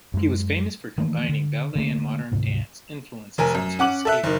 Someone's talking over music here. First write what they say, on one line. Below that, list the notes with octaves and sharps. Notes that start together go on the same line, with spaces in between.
He was famous for combining ballet and modern dance influences into his skating.
F#2 G#3
D#3 E3 A3 A#3
D3
D3 A3 A#3
D2 G#2 C3
F1 A#4 G#5
F#2
C#4 F#5 D6 F#7
A4 E5 F#6
F#1 D#3